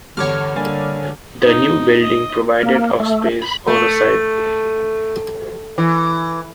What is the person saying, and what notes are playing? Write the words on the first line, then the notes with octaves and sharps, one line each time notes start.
The new building provided of space, on a site.
E2 G2 D3 C#5 D6 F6
D3 G3 A#3 G#5 A6
D#4
D#5
A#3
A3
B5
A3
E3